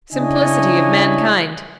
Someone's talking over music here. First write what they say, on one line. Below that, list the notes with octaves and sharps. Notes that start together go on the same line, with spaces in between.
Simplicity of mankind!
C#3 D4 E4 C#5 D#5 G#5